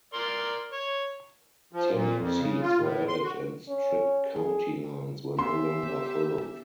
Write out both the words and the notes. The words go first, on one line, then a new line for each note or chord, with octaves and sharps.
Ten new seats were added and strict county lines were no longer followed.
A#4 D5 C6
C#5
F3
A#2
F2
C#3
F4
A2
C6
F#4
C#4
G#4
B3 C#4 G4 E5 C6